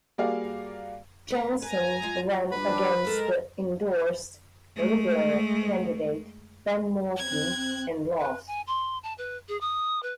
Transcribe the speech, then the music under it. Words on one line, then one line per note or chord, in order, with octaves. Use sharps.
Jensen ran against the endorsed Liberal candidate Ben Morton and lost.
G3 A#3 F#4 G#4 D5 F5
B4 A#5
B4 G#5 A#5
G#3 F4
G3 D4 B4 B5
G#3 G4 A4 A#4 C5
G#3 A3
C4 F#6 G#6
B4
G#5
C6
A5
B4
G#4
D#6
B4